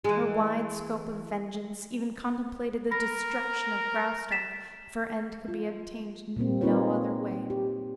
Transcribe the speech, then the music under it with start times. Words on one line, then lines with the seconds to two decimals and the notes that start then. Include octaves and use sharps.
Her wide scope of vengeance even contemplated the destruction of Graustark if her end could be obtained in no other way.
0.05 E3 G#3
2.91 A#4 B5 A#6
4.31 A6 B6 E7
5.48 F4
6.36 A#2 G3 A#3 C4
6.61 A#3 C4 D#4 F4 B4 C#5
7.50 G4